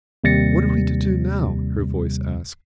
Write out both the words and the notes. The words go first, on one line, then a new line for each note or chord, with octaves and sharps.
"What are we to do now?" her voice asked.
D#2 C3 G3 A6 A#6 C#7